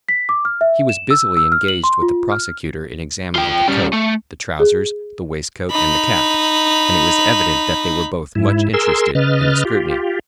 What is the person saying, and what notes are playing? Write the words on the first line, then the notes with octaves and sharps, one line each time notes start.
He was busily engaged with the prosecutor in examining the coat, the trousers, the waistcoat and the cap; and it was evident that they were both much interested in the scrutiny.
B6
D6
F6
E5
E7
E6
E6
F6
F#7
C6
F4
F6
F4 G5
G3 C#4
A3
G#4
D#4 B5
G#2 E4
G#4 A#4 C6 E6
C#3 B4 D#5 F6 A6
F4 G4